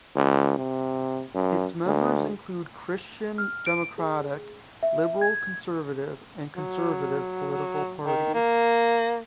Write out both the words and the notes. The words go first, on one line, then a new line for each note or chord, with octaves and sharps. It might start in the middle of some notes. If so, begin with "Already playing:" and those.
Its members include Christian democratic, liberal conservative, and conservative political parties.
C#2
C3
F#2
D2
F6
D7
G#4
E5
G#6
F#3
D#3
A#3